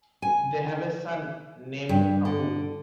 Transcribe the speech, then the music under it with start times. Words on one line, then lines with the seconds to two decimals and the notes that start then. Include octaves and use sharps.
They have a son named Appu.
0.22 G#5
1.89 G2
2.25 D3